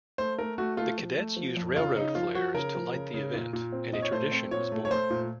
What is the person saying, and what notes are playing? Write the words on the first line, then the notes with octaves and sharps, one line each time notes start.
The cadets used railroad flares to light the event, and a tradition was born.
A3 C5
A3 A#4
A3 F#4
A3 F4
F3
A3
F3
F2
C#3 F4
C#3 D#4
F3 F4
F3 F#4
C#3 A#4
F3
C#3
C#3
A#2
A#2
C4
A#2 D#5
C#5
A3 C5
C4
A#2 C#5
A3
C#5
A3 C5
A#2